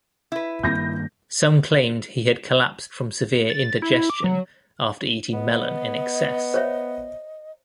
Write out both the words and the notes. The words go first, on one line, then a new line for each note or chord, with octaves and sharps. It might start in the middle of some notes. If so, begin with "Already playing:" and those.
Some claimed he had collapsed from severe indigestion after eating melon in excess.
E4 B4
G2 D#3 A#3 G6 A#6
A6
E4
D6
F#3
B3 D#5
C5 C#5 E5